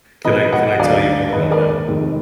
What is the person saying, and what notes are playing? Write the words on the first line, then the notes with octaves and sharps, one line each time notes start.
Can I can I tell you more about that?
B1 A#2 F3 G#3 B4 D#5
D#5 F#5
D2 D3 F#3 D5 F5
D#2 D#3 G#3 B4 D#5
A#4 D5
F1 F2 D#3 G#3